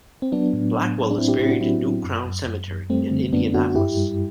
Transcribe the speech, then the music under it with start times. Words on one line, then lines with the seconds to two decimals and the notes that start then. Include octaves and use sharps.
Blackwell is buried in New Crown Cemetery, in Indianapolis.
0.22 C4
0.32 F#3 B3 D4
0.53 A2
0.75 A2
0.97 A2
1.10 D4
1.18 A2 C4 E4
1.28 E4 G4
1.39 A2 C4 E4
1.50 D4 F#4
1.61 F#3 C4 E4
1.82 F#3
2.04 F#2
2.26 F#2
2.47 F#2
2.68 F#2
2.90 G3 A3 C4
3.11 D3
3.33 F#2 B3 D4
3.54 F#2 D4 F#4
3.70 F#4
3.75 G2 E4 G4
3.97 G3